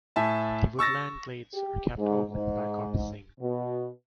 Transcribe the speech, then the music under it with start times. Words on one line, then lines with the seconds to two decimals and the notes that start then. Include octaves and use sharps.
The woodland glades are kept open by coppicing.
0.16 A2 E5 G#5 A5
0.79 C#6 E6 A6 A#6
1.54 G4
1.97 G#2
2.30 G#2
3.40 B2